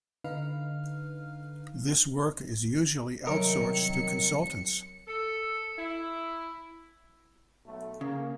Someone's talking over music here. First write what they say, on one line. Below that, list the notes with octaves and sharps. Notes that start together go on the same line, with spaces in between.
This work is usually outsourced to consultants.
D3 D#4 B4 F5 F6
C2 D#3 F#3 A#4 C#7
A4
E4
B1 A3
C#3 A#3